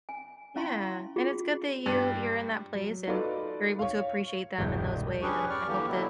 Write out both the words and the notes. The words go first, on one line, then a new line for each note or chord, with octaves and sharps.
Yeah. And it's good that you you're in that place and you're able to appreciate them in those ways, and I hope that,
G#5
C#4 E4 F5 A5 C6 C#6
F4 F#4 G#4
G2
F#3
D#4 F4 F#4 A4 B4 D5
C#5 F5
E1 C2 G2 G6
C#4 D4 G4 G#4 B4 C#6
D5 C#6 F6
D3 E3 A#3 G4
B2 D3 F#3 A#3 E4